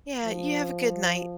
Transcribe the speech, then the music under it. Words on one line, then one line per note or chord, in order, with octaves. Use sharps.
Yeah, you have a good night.
F3